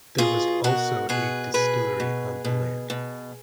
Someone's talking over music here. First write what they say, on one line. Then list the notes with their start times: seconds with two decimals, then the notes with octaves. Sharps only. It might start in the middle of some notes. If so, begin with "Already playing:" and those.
There was also a distillery on the land.
0.18 B2 F4 G#4
0.64 B2 F#4 A#4
1.09 B2 G#4 B4
1.54 B2 G#4 B4
2.00 B2
2.44 B2
2.90 B2